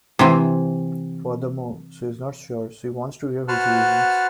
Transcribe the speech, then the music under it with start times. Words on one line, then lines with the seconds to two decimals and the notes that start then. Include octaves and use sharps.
Furthermore, she is not sure she wants to hear his reasons.
0.19 C3 E3 C4
3.48 F#4 B4 C5 F#5 A5 F6